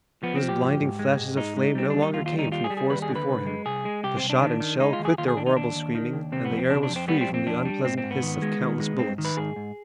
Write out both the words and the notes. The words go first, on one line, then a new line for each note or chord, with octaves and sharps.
Those blinding flashes of flame no longer came from the forest before him, the shot and shell quit their horrible screaming, and the air was free from the unpleasant hiss of countless bullets.
F3 B3
C4
F3
G4
G#2
G#2
G#3
G#2
G#3 D#4
G#3
G3 C4
D#2 D4
D#4
D#2 F4
F4
G3
D#4
G3 F4
G#4
G3
G#4
D#2 B4
G#4
D3
B4
C2
G#3
C2 G#4
G#3
C2 G4
C4
C2
D4
D#3
D#3
G#3 D#4
F4
D#2
G#4
D#2 F4
G#4
D#2 D4
D#4
D#2 D4
D#2
D#3
D#2
C3 C4
B3
F2
C4
C3 D4
D4
F2
C4
G3 B3
C4
F2
C4
F2 D4
G3
G#2 C4
C4
G#2
B3
D#3
G#3
D#3
G#3
G#2 C4
D#3
B4
G#2 G#4
G#2